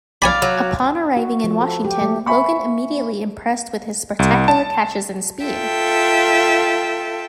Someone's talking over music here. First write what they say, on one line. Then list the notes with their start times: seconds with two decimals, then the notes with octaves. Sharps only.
Upon arriving in Washington, Logan immediately impressed with his spectacular catches and speed.
0.22 C#5 D5 F5 G#5 B5
0.42 F#3
1.17 F#4
1.44 F3
1.61 A4
1.85 G4
2.02 A3
2.26 E5 G#5 B5 C#6
4.19 C2
4.48 A5
5.44 F4 A4 E5 G5